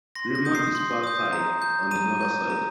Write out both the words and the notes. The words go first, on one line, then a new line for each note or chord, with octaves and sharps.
Raymond is part-Thai on his mother's side.
C6 A#6
A#6
D#6 G6
C7
C6
D#6 G6
A#5
G6
A#5 D#7
G6
A#5